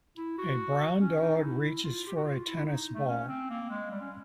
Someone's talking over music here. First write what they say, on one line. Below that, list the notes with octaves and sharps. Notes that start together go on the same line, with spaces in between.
A brown dog reaches for a tennis ball.
E4
F#4
C#4
D#4
E4
F4
G4
F#4
F4
E4
D#4
A3
C#4
C4
A#3
G#3
G3
C#4